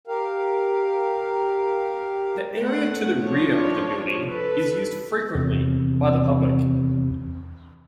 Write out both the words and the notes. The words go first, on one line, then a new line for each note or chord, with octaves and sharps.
The area to the rear of the building is used frequently by the public.
G4 A#4 F5
A3 F#5
F3 D4 C#5
A4 B4
E2 C3